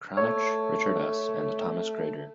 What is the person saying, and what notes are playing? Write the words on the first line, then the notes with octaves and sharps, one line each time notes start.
Krannich, Richard S, and Thomas Greider.
A3 C#5